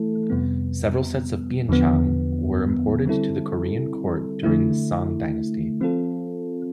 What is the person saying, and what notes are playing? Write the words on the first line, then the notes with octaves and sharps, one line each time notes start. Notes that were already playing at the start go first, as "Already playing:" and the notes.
Several sets of "bianzhong" were imported to the Korean court during the Song Dynasty.
Already playing: E3 A3 E4 A4
F2 C3 G3 B3
E2 D3 F3 B3
D3 G3 C4 E4 A4
D3 A3 E4
F3 C4 F4 A4